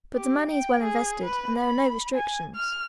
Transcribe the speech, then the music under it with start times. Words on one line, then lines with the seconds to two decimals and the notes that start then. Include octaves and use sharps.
But the money is well invested and there are no restrictions.
0.15 G4
0.49 G5
0.83 G#4
1.25 B4
1.58 B5
2.14 G#5
2.56 F6